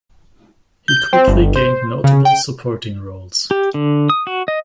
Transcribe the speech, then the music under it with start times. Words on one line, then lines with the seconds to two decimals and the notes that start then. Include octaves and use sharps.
He quickly gained notable supporting roles.
0.88 G6
1.13 C4
1.28 G1
1.55 C5
2.04 C#3
2.25 G5
3.51 G4
3.74 D3
4.10 D#6
4.27 F#4
4.48 D#5